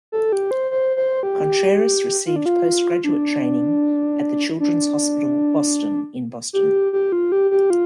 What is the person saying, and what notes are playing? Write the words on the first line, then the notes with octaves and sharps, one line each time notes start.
Contreras received post-graduate training at the Children's Hospital Boston in Boston.
A4
G4
C5
C5
C5
G4
F4
D4
F4
D4
D4
G4
G4
F4
G4
G4
F4